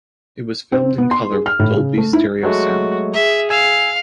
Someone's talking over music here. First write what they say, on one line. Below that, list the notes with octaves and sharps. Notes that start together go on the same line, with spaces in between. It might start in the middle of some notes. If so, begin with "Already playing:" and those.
It was filmed in color with Dolby Stereo sound.
C4
B3
C6
G#4
F6
A2
C#3
A3
E4
F#3 G#3 A3 F#4
G#4 E5
F5 G#5 E6